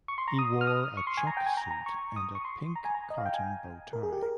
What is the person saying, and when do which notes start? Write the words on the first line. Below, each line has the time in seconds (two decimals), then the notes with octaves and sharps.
He wore a check suit and a pink cotton bow-tie.
0.08 C#6
0.18 C6
0.28 A#5
0.39 D#6
0.61 F6
0.67 D#6
0.97 C#6
1.07 C6
1.17 G#5
1.27 A#5
1.37 G5
1.46 G#5
1.57 A#5
1.71 A#5
1.86 C#6
2.16 D#6
2.35 C#6
2.45 C6
2.76 A#5
2.85 G#5
2.94 A#5
3.10 D#5
3.18 F5
3.26 G5
3.34 G#5
3.93 A#4
4.03 G#4
4.13 G4
4.22 A#4